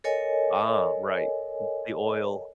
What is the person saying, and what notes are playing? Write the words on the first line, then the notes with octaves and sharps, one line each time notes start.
Ah, right. M the oil.
A4 A#4 C#5 D#5 G#5